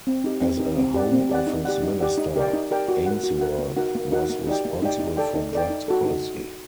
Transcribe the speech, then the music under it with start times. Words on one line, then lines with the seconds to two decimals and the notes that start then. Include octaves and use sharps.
As a Home Office minister, Ainsworth was responsible for drugs policy.
0.07 C4
0.24 D#4 G4
0.41 C4
0.60 D#4 G4
0.78 C4
0.94 G4 D5 F#5
1.12 C4
1.29 G4 D5 F#5
1.47 D#4
1.65 G4 D5 F#5
1.83 D#4
2.01 G4 D5 F#5
2.18 D#4
2.36 G4 A#4 D5 G5
2.53 D#4
2.71 G4 A#4 D5 G5
2.88 F#4
3.06 A#4 F#5
3.23 F#4
3.41 A#4 F#5
3.59 A#3
3.76 D#4 F#4 A#4 F#5
3.95 A#3
4.12 D#4 F#4 A#4 F#5
4.30 A#3
4.47 D#4 G4 D5 G5
4.65 A#3
4.82 D#4 G4 D5 G5
5.00 D#4
5.17 A4 D5 G5
5.35 D#4
5.53 A4 D5 G5
5.70 D#4
5.88 F#4 A4
6.06 D#4